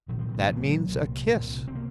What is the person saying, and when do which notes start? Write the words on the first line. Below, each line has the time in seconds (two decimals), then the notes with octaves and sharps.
"That means a kiss!"
0.08 C2 A#2 D#3 F#3
0.19 F3
0.29 D#3
0.39 A3 C4
0.48 C2 A#2 F#3 A#3
0.88 C2 A#2
1.27 C2 A#2
1.67 C3 C4
1.75 A#3